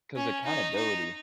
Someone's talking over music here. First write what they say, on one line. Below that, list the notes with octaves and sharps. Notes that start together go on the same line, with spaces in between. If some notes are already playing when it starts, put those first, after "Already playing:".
'cause accountability
C#4
D#4
D#4